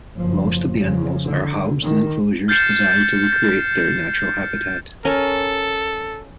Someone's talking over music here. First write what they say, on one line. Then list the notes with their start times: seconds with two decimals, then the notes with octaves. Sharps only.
Most of the animals are housed in enclosures designed to recreate their natural habitat.
0.16 F#1 F3
0.78 F2 C#3
1.24 D3
1.83 D#3
2.48 F6 G6 A6 C7 C#7 E7
5.05 C#4 A4 A#4